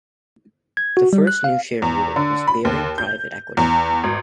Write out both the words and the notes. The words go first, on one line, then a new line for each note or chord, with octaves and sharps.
The first new shareholder was Baring Private Equity.
G#6
F#4
G3
F#6
F5
E2
D3
B5
D#2
G6
E2
G#1